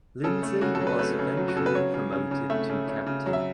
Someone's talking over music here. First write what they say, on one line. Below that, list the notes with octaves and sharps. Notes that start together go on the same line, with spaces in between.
Lindsay was eventually promoted to captain.
C#3 A4
A3
C#3 F#4
A4
F#3
B4
A3 B4
C#3
F#3
F#4
C#3 A4
B4
F#3 C#5
C#3
C#3
C#3
A3 E5
C#3
C#3
C#3
F#3
E5